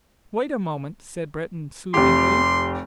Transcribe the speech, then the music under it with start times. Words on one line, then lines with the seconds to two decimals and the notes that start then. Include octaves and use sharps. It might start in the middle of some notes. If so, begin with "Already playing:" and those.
"Wait a moment," said Breton, soothingly.
1.94 F1 G4 C6